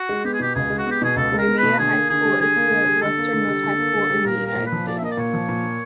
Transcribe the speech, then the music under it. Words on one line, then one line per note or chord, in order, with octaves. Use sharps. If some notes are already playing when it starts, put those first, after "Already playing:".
Waimea High School is the westernmost high school in the United States.
Already playing: F#4
G#3
B3 G4
G#4
B2 G4
C#2 G#4
G#3
F#4
B3 G4
B2 G#4
C#2 A4
G#3
A#4
B3
B4
B2
D3 G#4
A#3
D3 G#4
G3
D3 G#4
A#3
D3
G3
D3 A4
A#3
D3
G3
D3
A#3
D3
G3
A#2 A#4
A#3 A#4
A#2
B4
F3
A#2 D5
E5
A#3 D#5
D5
A#2 C#5
F3
A#2
A#3